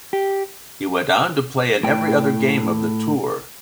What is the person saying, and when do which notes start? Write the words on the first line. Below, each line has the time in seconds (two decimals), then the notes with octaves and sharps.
He went on to play in every other game of the tour.
0.13 G4
1.83 A2 G5